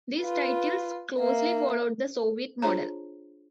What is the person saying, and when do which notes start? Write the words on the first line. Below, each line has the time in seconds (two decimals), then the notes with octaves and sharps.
These titles closely followed the Soviet model.
0.20 F4 B4
1.19 A#3 E5
2.62 D4 F4 G#4 C5 C#5 A#5